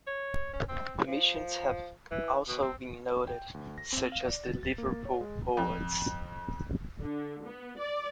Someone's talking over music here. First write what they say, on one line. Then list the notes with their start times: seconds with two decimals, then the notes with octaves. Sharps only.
Omissions have also been noted, such as the Liverpool poets.
0.07 C#5
0.53 C#4
0.68 C4
1.08 F3
2.11 E3
2.48 B2
2.62 C4
3.28 G5
3.54 D2
3.78 A#6
3.93 C4
4.12 F5
4.26 D5
4.44 A6
4.63 A6
4.78 A#3
5.05 C#5
5.21 G#3
5.57 F2
7.00 D3
7.44 B3
7.78 D5